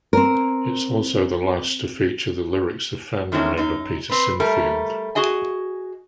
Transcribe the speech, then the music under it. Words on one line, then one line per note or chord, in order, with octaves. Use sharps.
It's also the last to feature the lyrics of founding member Peter Sinfield.
C4 A#4
D#3 G#3 A3 C4 C#4 D#4
F#2 D#4
C4 B4
G3 A3 A#4
F#4 G#4 D#5 G#5